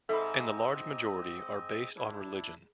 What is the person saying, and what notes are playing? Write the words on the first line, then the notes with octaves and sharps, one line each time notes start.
And the large majority are based on religion.
G#2 C4 A4 D#5 E5 B5
D4 E4